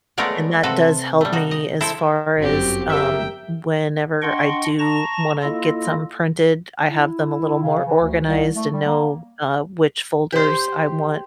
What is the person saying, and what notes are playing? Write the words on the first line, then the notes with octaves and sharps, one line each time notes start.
and that does help me, as far as, um, whenever I do wanna get some printed, I have them a little more organized and know, uh, which folders I want
G#3 A3 B3 A#4 C#5 D5
C3 F#4 A4 B4
G3 A3
D#4 F#4
D#5
E4 A4 C5 E5
G1 F#2 C4 F#4 G4
G4 A#4 E5 G5
D4 D#5 F#5 G5 C6 C#6
A5 A#5 C#6 A#6
A#3 E4 F4 A4 D#5
E4
C#3
E3
D2
C2
A3
G3
A#3
G4 C5